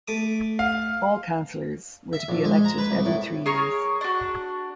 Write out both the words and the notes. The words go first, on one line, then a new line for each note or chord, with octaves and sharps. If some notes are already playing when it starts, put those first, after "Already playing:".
All councillors were to be elected every three years.
A3 D6 D#6
F5
E5
A#1
G#3
A#5
B4
C2
A2
G#4 A#4 C#5 C#6
D4 F#4